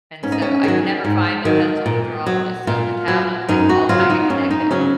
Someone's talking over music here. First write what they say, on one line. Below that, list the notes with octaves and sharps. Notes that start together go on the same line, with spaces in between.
And so, I can never find the pencil to draw with. So, the tablet's, like, all kinda connected.
G#2 C#4
D#4
C#4
D#3 F#3 G#4
G#2
D#3 F#3
A#2
F#3
A#2 F4
F#3
F#2 D#4
F#4
C#3 F#3 F4
D#4
F#2 C#4
D#4
C#3 F#3 C#4